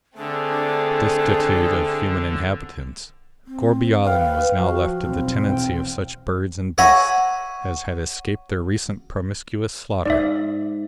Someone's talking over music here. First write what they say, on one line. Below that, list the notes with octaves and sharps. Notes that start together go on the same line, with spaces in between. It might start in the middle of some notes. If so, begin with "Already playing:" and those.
Destitute of human inhabitants, Gourbi Island was now left to the tenancy of such birds and beasts as had escaped the recent promiscuous slaughter.
D3 A3 C4 D4 G#4
C4
B4 F5 G5
F3 F#4
B1 E2 C4
G5
C#5 E5 F#5 G#5 A#5 B5
G#2 D5 E5